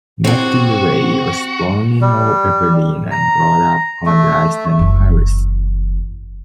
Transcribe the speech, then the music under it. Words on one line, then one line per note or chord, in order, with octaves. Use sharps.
MacGillivray was born in Old Aberdeen and brought up on the island of Harris.
C3 C4 F#4
G3
A#5
A3
F#1 E2